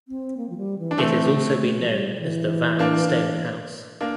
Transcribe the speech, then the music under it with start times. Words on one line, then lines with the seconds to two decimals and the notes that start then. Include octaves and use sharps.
It has also been known as the Van Stone House.
0.08 C4
0.37 A#3
0.50 F3
0.57 G3
0.79 E3
0.91 D4
0.98 E3 A3 C4
1.58 A3
1.79 F3
1.89 G3
2.19 E3
2.79 A#3 D4
4.01 A#3 D4